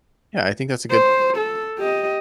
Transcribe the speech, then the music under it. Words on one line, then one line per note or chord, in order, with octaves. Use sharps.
Yeah, I think that's a good
C5
A4
G4 D#5